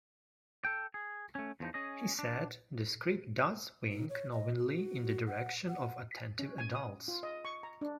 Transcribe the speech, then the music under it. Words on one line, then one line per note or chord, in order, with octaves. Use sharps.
He said, "The script does wink knowingly in the direction of attentive adults".
A4 G5
G#4
A3 C#4
E2 F3 D#4
C#4 G#4 D#5
D4
D#4
C#5
D#5
F#4
F#5
F#5
C#4
G#5
D#6
F4
D#5
C#6
A#5
D4